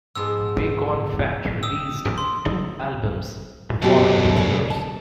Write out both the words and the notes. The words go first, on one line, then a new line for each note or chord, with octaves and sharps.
Bacon Fat released two albums the following two years.
G#2 F3 B3 E6
G5 D#6 E6
C6
B1 F#2 B2 A3 G4
D2 C#3 C#5
A5